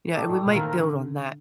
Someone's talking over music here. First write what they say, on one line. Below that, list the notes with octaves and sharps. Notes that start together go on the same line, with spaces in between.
you know, and we might build on that.
A3 D#4 A4 D5 G5
A2
A#2 A3 C4 F4 A#4
D#3
D3